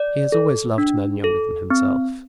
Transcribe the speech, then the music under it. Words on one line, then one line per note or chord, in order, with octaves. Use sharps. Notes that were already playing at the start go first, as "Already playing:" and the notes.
He has always loved men younger than himself.
Already playing: D5
A4
D4
A4
C4